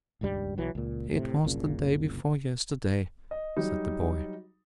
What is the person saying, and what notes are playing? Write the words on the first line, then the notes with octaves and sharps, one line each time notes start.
"It was the day before yesterday," said the boy.
D#1 C#2 G2 G3
B1 E3 F#3
C#2 A#2
A2 C3
F#1 C2 A#2 C#3
D#5
F#3 G3 D#4